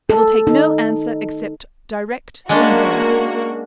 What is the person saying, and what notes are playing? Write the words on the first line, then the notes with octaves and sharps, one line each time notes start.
I will take no answer except direct from her.
A4
D#4
G#3 A#3 C#4 D4 F#4